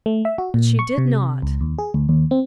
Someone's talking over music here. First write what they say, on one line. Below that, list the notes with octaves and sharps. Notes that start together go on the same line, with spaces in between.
But she did not.
A3
E5
F#4
A#2
C#6
C3
C#2
D#2
G#4
D2
D#2
C4